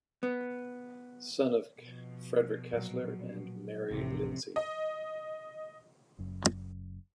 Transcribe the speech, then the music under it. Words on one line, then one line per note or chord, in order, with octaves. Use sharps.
Son of Frederick Kesler and Mary Lindsay.
B3
B2 F3
A#2 F#3
A1 F2 A2 C3
D#5
F#1 F#2